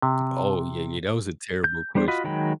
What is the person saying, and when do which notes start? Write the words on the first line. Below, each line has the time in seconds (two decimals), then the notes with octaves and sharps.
Oh, yeah, yeah. That was a terrible question.
0.02 C3
1.64 G6
1.95 G3 B3 D4 C5
2.08 F4 F#4 D#5 B5
2.24 D#3 F#3 G#3 G5 B5